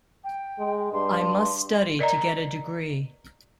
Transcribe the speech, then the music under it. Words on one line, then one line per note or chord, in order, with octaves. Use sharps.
I must study to get a degree.
G5
G#3
G2 C6
A#4 D5 D#5 A#5